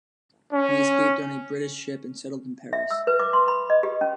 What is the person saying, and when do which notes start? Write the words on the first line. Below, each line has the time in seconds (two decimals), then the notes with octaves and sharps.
He escaped on a British ship and settled in Paris.
0.53 C#4
2.73 E5
2.91 E6
3.07 B4
3.20 D6
3.33 C6
3.48 B5
3.70 D#5
3.83 G4
4.01 C#4